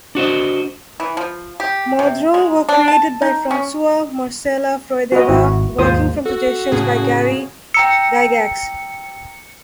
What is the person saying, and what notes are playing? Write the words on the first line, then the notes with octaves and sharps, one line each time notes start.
Modrons were created by Francois Marcela-Froideval, working from suggestions by Gary Gygax.
D4 F#4 C5 D#5
E3
F3
G4
C3
G#3
D4
A5
D#4
C#4
F#4 B4 D#5
G#1 E4 F#4
D#2 G#2 F4 C5 D#6
F#4 A4
A2 C#3 G#4
G5 A#5 E6 C#7